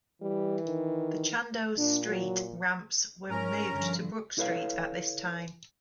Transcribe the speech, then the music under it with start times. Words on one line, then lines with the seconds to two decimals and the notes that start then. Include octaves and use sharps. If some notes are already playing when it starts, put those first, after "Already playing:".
The Chandos Street ramps were moved to Brook Street at this time.
0.22 E3 G3
0.66 D#3
1.78 A#2 D4
2.08 F#3
3.30 G#2 C#4 A#4 A#5
3.73 G2 D3 F3
4.38 E4 A4 B4 C#5 F5